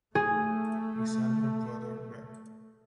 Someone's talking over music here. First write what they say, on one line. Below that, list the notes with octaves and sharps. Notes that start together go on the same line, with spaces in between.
His elder Brother Rev.
A3 G#4